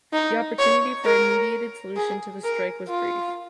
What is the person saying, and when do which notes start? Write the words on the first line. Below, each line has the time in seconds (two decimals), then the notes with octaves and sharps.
The opportunity for a mediated solution to the strike was brief.
0.13 D#4
0.59 C#5
1.05 A#4
1.97 G#4
2.43 A#4
2.88 F4